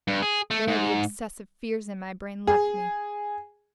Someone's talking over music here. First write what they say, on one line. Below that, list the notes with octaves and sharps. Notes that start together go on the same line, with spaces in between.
There the obsessive fears in my brain left me.
G2
G#4
A3
G#2
G#4